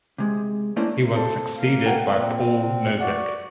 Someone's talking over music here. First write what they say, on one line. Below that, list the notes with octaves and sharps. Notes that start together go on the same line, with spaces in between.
He was succeeded by Paul Novick.
C3 G#3
A3 A#3 C#4 D4 E4 C5
C4 A4
A#3 F5
A#4 F#5 G5
A#2 C4
F#4 D5 F#5